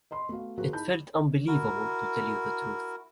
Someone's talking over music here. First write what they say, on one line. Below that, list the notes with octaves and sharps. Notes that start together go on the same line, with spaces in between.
It felt unbelievable, to tell you the truth.
D#5 B5 C6
A3 B3 F#4 F5
F3 A#3 F#4 G#4
D#4 E4 A5 B5 G6
E4 F#4 A#4